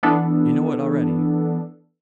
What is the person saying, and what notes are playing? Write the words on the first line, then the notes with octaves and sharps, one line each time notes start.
You know it already.
E3 B3 D4 A4